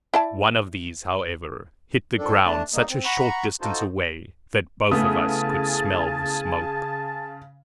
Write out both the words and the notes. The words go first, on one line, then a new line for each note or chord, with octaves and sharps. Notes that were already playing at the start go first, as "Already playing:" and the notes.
One of these, however, hit the ground such a short distance away that both of us could smell the smoke.
E4 D5 A5
F2 D#3 D4 A4
A3 D4 A5
G3 A#3 D#4
C4
F#5 A#5 B5 C#6
D#4 F4 F#4 A4 C5
C#3 A3 B3 E4 G#4 G#5 A5 D#6